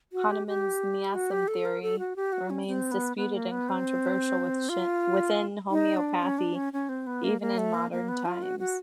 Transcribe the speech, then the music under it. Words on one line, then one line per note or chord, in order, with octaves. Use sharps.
Hahnemann's miasm theory remains disputed and controversial within homeopathy even in modern times.
F#4
G4
G4
F#4
G4
A4
A#4
A4
F#4
G4
F#4
C#4
C4
B3
B3
A#3
B3
C4
F4
D#4
D4
C#4
D4
C#4
C#4
C4
B3
A#3
A#3
A3
A#3
A#3
B3
F4
F#4
F#4